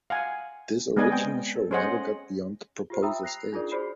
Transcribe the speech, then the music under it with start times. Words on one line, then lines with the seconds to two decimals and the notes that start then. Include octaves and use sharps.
This original show never got beyond the proposal stage.
0.10 F5 F#5 G#5
0.97 G#3 B3 G#4 D5 D#5 G#5
1.12 C4 G5
1.56 A4
1.71 C#4 G#4 C5 D#5 F#5 G#5
2.90 F4 G4 C5
3.03 E5 G5 A#5 B5 D#6 E6
3.23 F#6 A#6 C7 F7
3.52 D4 D#4 F4 G#4 A#4 D5
3.71 F#4 G#4 C5 D5 B5 C7